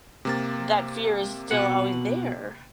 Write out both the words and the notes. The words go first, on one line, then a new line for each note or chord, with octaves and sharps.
that fear is still always there.
C3 A#3 A6
B2 F#5